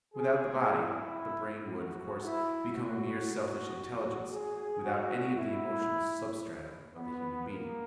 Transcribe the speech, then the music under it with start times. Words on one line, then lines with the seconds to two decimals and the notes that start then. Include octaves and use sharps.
Without the body the brain would, of course, become a mere selfish intelligence, without any of the emotional substratum of the human being.
0.15 G#4
0.67 E4
1.71 F#4
2.23 E4
2.76 F#4
3.80 F#4
4.33 G#4
4.85 F#4
5.36 E4
6.93 B3
7.46 A#3